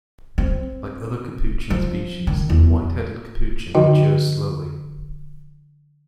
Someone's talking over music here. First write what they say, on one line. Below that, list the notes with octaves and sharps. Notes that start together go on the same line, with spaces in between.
Like other capuchin species, the white-headed capuchin matures slowly.
C4
F3
D#3
E2
D3 F3 D#4 F#4 D#5 G5